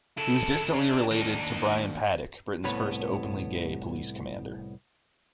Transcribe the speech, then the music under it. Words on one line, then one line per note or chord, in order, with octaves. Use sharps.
He was distantly related to Brian Paddick, Britain's first openly gay police commander.
C#3 E4 A4
C#3 D4
D#2 A#3 D4 D#4
C2 A2 B3 C#5 B5